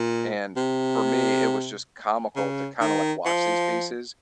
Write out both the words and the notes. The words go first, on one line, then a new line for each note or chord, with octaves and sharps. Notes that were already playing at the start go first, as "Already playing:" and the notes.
And for me, it was just comical to kind of like watch these pieces
Already playing: A#2
C3
C#3
D#3
F3